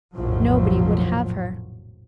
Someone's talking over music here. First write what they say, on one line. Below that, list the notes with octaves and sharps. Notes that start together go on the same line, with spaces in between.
Nobody would have her.
F1 A#1 A2 F3 F#3